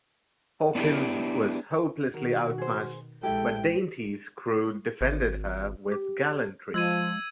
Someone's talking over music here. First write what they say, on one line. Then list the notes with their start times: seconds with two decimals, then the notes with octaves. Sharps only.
Hawkins was hopelessly outmatched, but "Dainty"'s crew defended her with gallantry.
0.75 B3 D4 E4 F4 G4
2.14 B2 D#3 F#4 A#4
2.58 G#4 C5
3.23 A#1 G#3 E4 G4 A4 G5
5.01 G#1
5.92 G4
6.74 F3 G#3 E6 G#6 D#7